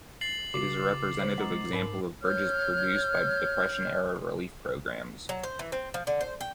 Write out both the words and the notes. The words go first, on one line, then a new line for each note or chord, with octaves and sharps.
It is a representative example of bridges produced by Depression-era relief programs.
A6 C7 F#7
C#3 F#4 D6
C5
G#3 F#5 A#5
G#2 D#4 A#4 B5
C#5 F6 G6
F#3
C5
E3
C4
F3
D3
C5
G5